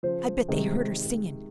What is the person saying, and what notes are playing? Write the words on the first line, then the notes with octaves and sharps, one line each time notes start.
I bet they heard her singin'!
C#3 F3 C5
C3 D#3 G#3